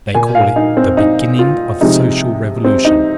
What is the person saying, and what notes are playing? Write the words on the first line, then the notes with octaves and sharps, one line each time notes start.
They call it the beginning of social revolution.
A#2 A#3 G#5
F5
D#4
C4
D#4
F4
C3 F3 G#3 D#4
C4
D#4